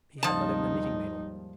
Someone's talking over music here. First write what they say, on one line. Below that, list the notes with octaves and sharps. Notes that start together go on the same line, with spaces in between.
"He had not even a knitting-needle."
D#2 G#2 F3 G3 D#4 A5